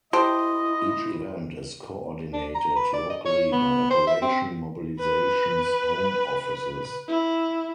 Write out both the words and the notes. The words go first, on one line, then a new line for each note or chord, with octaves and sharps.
Each event is coordinated locally by Operation Mobilisation's home offices.
E4 G4 A4 C5 D#5
D4
A#5
B4
D5
D#5
C#5
B3
C5
E5
C4
B4
E4